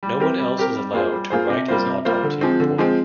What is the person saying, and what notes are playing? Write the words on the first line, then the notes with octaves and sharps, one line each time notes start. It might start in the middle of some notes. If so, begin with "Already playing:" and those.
No one else is allowed to write his autopsy report.
G3
C4 G4 A#4
G3
C4 G4 A#4
G3
A#3 F4 G#4 C5
G3
A#3 F4 G#4 C5
C3
G3 A#3 F4 C5
C3
G3 A#3 F4 C5
D3
F3 G#3 C4
D3
F3 G#3 C4